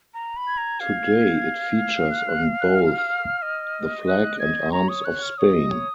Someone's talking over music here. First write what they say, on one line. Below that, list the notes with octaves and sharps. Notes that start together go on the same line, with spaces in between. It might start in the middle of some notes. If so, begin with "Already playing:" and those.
Today it features on both the flag and arms of Spain.
A#5
B5
G#6
A#5
F5
F#6
F#6
F#6
F6
D#5
F#6
G#6
C#5 A#5
D#6
F#6
F6
C#5 D#6
D#5
C#5